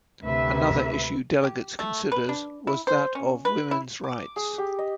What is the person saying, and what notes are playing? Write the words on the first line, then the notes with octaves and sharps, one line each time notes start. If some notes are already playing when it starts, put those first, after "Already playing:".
Another issue delegates considered was that of women's rights.
D2 C3 B4 E5
G4
A3
B4
D4
E4
C5
C#4
B4
E4
D6
G#4
G4
D#5